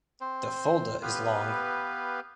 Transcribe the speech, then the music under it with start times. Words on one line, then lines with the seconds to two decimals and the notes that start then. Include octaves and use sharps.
The Fulda is long.
0.21 C4 C5
1.02 B3 G4 B4 F5